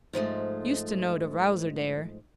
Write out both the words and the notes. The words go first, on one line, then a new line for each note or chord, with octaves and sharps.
Used to know de Wowzer dere.
G#2 F3 G#3 A3